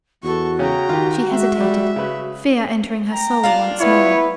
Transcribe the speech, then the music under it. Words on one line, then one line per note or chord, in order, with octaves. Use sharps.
She hesitated, fear entering her soul once more.
E2 F#4 A4 C#6
C#3 C#4 G5 A#5
D#3 F4 G4
G#3 E5
G3
C#3 B4
G5 A#5
D4 F4 F5
B3 E4 B4 C#5